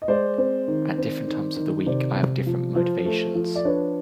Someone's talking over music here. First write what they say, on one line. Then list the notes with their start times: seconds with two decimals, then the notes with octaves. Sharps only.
At different times of the week I have different motivations.
0.02 D#5
0.08 G#3 C5 D5
0.38 C4
0.68 D#3
0.98 C4
1.27 D#3
1.57 D#3
1.86 C3 C5 D5
2.16 C3
2.46 F3
2.75 F3 C5
3.05 A3
3.35 F3
3.55 D5
3.65 D4 B4 C#5